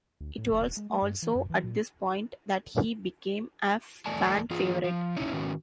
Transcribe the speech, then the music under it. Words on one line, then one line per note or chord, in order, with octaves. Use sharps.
It was also at this point that he became a fan favourite.
D2
A2
F1
D#1
G#3
A3
G2
E3
F#2
E3
A#2
E2 A3 D5 G#5 A5
E3 F4 G#4
F3
C#4 D#4 E4
G#2 D#3 C#4 F#4